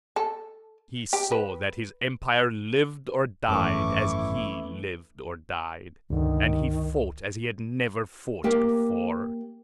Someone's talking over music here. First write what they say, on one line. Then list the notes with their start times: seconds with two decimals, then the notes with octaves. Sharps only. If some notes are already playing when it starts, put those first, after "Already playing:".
He saw that his empire lived or died as he lived or died, and he fought as he had never fought before.
0.16 A4
1.13 G4
1.32 B4
3.48 G#1 F#2 E3 A3 C#4 E4 C#6 D6
6.10 C#2 G2 D3 D#3
8.44 A#3 G4